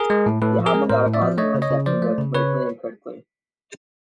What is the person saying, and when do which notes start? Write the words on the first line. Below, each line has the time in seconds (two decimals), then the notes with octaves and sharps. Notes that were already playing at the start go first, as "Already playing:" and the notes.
The album got a positive reception, both commercially and critically.
Already playing: G#4 A#4
0.10 G#3
0.26 A2
0.42 A2 A4 B4
0.59 F3
0.66 G#4 A#4
0.74 G#3
0.90 A2 A#4 C5
1.06 A2
1.14 D5 E5
1.22 F3
1.38 A3 C#5 D#5
1.54 C#3
1.62 C#5 D#5
1.70 C#3
1.86 F3 C5 D5
2.02 A3
2.18 C#3
2.35 C#3 B4 C#5